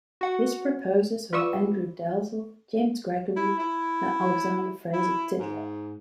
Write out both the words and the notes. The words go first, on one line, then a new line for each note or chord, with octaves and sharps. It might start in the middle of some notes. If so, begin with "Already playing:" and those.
His proposers were Andrew Dalzel, James Gregory and Alexander Fraser Tytler.
F#4 F#5
F4 B4 D5 C#6 D#6 E6
E4
E4
E4
G#2